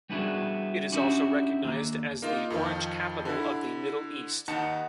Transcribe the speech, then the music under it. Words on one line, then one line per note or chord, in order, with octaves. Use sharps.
It is also recognized as the orange capital of the Middle East.
G3 B3 D4 E4 F#4 G#4
C#4 D4 E4 F#4 G4
D#2 D3 A#3
A#3 D#4 F4
F2 D#3 F3
D3 E4
D#2 D#4 F#5 A5 C#7